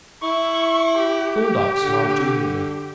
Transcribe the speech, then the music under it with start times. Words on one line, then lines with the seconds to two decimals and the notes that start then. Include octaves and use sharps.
Thorndyke smiled genially.
0.22 E4 C#6
0.98 G4
1.81 D3